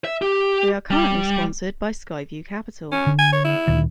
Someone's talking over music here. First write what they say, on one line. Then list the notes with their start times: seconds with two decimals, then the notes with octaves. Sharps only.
They are currently sponsored by Skyview Capital.
0.05 E5
0.22 G4
0.91 G3
2.92 C#4
3.07 D3
3.18 G#5
3.32 C#5
3.44 E4
3.68 D2 A#2 D#3